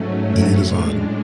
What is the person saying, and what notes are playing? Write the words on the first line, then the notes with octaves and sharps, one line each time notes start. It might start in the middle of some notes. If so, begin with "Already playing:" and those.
The Heat Is On.
Already playing: G#2 F#3 A3 C#4
C#6
A2 G#3 D4 F6